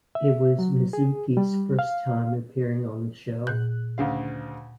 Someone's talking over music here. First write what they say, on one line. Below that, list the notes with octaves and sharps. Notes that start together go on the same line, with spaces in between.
It was Mizuki's first time appearing on the show.
E5
F#3
G#4
G3
F5
A#2 F#6 G6
D2 C#3 F5